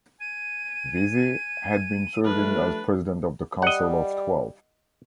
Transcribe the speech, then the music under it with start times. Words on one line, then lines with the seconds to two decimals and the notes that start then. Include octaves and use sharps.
Veazey had been serving as president of the Council of Twelve.
0.20 G#5 D#7
2.24 F3 G3 A3 D4 B4 F6
3.62 G3 D#5 F#5